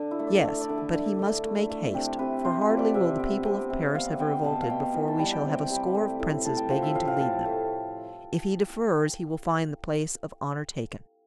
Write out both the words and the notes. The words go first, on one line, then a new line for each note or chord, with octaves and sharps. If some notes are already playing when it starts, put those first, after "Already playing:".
"Yes, but he must make haste; for hardly will the people of Paris have revolted before we shall have a score of princes begging to lead them. If he defers he will find the place of honor taken."
Already playing: D3 D4
E4
A3
D5
A3 E5
D5
D3
A4
D3
D3
A3
A3
C3 G4
C3 B4
C3 C5
B4
F3
D5
C3 E5
B3
C3
C3
B3 F5
B3 G5
B2 A5
F5
B2 G5
E3 G5
A5
G3 G5
G5
C3
G3
A3
A2
A2 A5
G5
F3 G5
E5
A2 F5
F5
A3 A5
A3